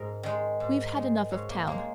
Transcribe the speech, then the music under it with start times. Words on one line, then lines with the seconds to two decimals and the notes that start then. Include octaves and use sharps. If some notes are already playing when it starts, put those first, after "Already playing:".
We've had enough of town.
Already playing: G#2 G#4 A#4
0.23 D#3 G#3
0.60 G#2
0.96 D#3 G#3
1.31 G#2 C#5
1.49 A#3
1.67 D#3 G#3 A#3